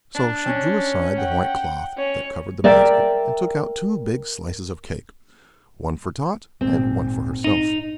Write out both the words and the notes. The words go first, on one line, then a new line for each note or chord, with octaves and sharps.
So she drew aside the white cloth that covered the basket and took out two big slices of cake, one for Tot and one for herself.
D4
C#4
F#5 G5
C#4 C#5
A#4 D5 E5 G5
G#1 A#2 C4
D#4